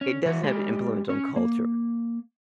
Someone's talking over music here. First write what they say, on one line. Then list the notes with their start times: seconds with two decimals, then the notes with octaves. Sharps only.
It doesn't have an influence on culture,
0.01 C#4
0.26 E3 F#4
0.44 G#3 G4
1.10 C#4
1.36 A#3